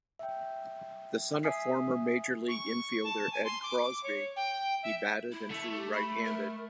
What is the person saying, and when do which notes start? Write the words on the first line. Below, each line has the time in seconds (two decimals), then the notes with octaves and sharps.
The son of former major league infielder Ed Crosby, he batted and threw right-handed.
0.19 E5 G5
1.43 E5 G#5 D#6 B6 C7
2.48 C#6
3.04 A5
3.32 G#5
3.44 C6
3.63 D6
3.82 D6
4.03 C#5
4.36 G5
4.83 E5
5.32 E4
5.50 A3
5.75 G4
5.94 B5
6.25 A#4